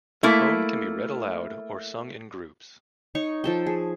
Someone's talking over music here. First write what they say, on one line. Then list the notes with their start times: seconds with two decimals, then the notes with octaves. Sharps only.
The poem can be read aloud or sung in groups.
0.23 A3 A#3 E4
3.15 D#4 C#5 C#6
3.44 F3 A4 G5
3.66 G#4